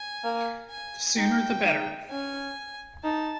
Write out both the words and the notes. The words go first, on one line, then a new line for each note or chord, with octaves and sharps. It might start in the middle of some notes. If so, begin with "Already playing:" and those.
The sooner the better.
Already playing: G#5
A#3
G#5
D#4 G5
D#4
C#4 G#5
D#4 A5